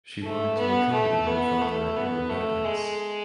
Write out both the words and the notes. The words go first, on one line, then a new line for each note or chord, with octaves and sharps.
She wanted to accompany her father at aerobatics.
A3
B3
A3
B3
A3
B3
A3
G#3